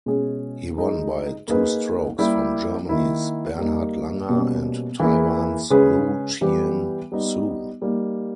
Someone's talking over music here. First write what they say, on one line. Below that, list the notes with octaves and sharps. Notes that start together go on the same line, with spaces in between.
He won by two strokes from Germany's Bernhard Langer and Taiwan's Lu Chien-soon.
B2 G#3 C#4 G#4
G#3 D#4 G#4
A#3 D#4 G#4 B4
G3 A#3 E4 G4
D#3 A#3 E4
G3 A#3 D#4
B2 G3 A#3 C#4
E3 A#3 E4 G#4
C#3 G#3 C#4 G#4 B4
E3 G3 B3 G4 B4
G3 B3 D#4
G3 A#3 D#4